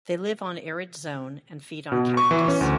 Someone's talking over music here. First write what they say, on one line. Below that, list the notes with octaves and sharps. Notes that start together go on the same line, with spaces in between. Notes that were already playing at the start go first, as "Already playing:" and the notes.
They live on arid zone and feed on cactus.
B2
C#6
E3
C#4
D2